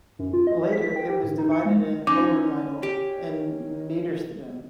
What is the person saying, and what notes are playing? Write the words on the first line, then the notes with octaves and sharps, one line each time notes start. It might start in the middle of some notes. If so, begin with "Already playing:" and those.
Later it was divided in Ober-, Mittel- and Niederstedten.
F#2
F4
D#5
E5
B6
G5
G4
G#2
D#4
C#7
G#3
C#4 D#4 D6
G4